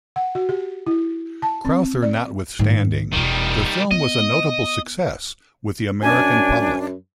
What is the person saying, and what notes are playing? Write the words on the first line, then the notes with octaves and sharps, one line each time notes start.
Crowther notwithstanding, the film was a notable success with the American public.
F#5
F#4
G4
E4
A5
C4
D5
G#2 D#3
E1 D#3 G3 F4
B3 D#5
F#2 D4 G#5